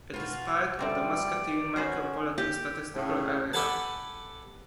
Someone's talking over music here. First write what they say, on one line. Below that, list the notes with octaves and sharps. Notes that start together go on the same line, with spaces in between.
It is part of the Muscatine Micropolitan Statistical Area.
B2 F4 F#4
G3 A3 C4 A#4 D5
C#4 F#4 B4 C5 A#5
G4
A2 C#3
G4 A4 B4 F#5 G#5 A5